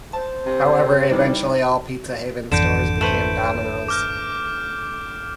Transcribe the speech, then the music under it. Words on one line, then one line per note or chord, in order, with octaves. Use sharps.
However, eventually all Pizza Haven stores became Domino's.
C5 A5
C3 C4
D#3 E3 G3 D4
G#1 F2 D3 E3 G6 D7 E7
A3 B4 C5 E7
D6 F6 G6